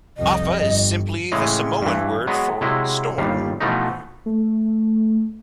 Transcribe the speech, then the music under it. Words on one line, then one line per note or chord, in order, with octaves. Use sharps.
Afa is simply the Samoan word for "storm".
C2 F2 D#5
G1
A2 C#3 E3 G#3
G2 E3
F#3 G#3 B3
C3 F#3 G#3 E4
G1 D#2 G3 F5
B2 E3 F3 A3 D#4
A3